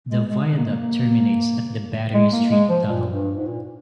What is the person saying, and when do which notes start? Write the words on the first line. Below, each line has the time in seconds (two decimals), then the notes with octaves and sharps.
The viaduct terminates at the Battery Street Tunnel.
0.12 G#3
0.30 G#3
0.57 A#3
0.66 G#3
0.73 A#3
2.14 G#3
2.32 A#3
2.52 G#3
2.70 F3
2.88 A#2
3.13 G2
3.37 G#2
3.48 A#2